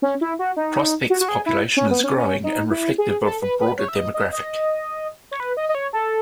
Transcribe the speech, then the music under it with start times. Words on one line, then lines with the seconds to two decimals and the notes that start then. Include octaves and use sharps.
Prospect's population is growing and reflective of a broader demographic.
0.02 C#4
0.21 E4
0.39 F#4
0.56 D#4
1.10 F#4
1.20 F#4
1.29 G#4
1.46 E4
1.77 C#4
1.91 B3
2.04 C#4
2.17 C#4
2.44 D#4
2.71 E4
2.98 G#4
3.24 A4
3.42 B4
3.60 B4
3.78 C#5
3.88 E5
3.96 D#5
4.14 D#5
4.32 D#5
5.31 C#5
5.40 B4
5.57 D#5
5.69 D#5
5.75 C#5
5.93 A4